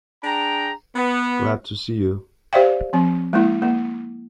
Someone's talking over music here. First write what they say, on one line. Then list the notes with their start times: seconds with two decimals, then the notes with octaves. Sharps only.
Glad to see you.
0.24 D4 G#4 G5 A#5
0.96 B3
2.53 G4 C5 D5 E5 F5 G5
2.93 F3 C4
3.33 G#3 A#3 E4
3.62 A#3